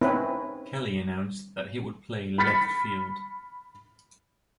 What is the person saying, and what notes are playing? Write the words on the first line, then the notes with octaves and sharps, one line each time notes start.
Kelley announced that he would play left field.
C4 C#4 D#4 E4 B4
B5 F6 A6 B6 C#7